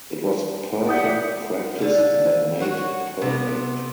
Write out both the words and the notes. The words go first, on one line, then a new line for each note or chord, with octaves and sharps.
It was perfect practice that made perfect.
G4 D5 E5 F#5 D#6 G6
D3 F5
F#4 C#5 F#5
C3 B3